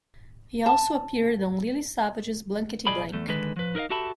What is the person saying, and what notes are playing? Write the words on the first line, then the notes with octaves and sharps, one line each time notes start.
He also appeared on Lily Savage's Blankety Blank.
A5
B1 F3 G#4 D5 D#5 B5
E2 A3
D3 D#3 G#3 B4
F3 B4
D#4 A#4 B4 D#5 F5
F#4 G4 A4 E5 A5 B5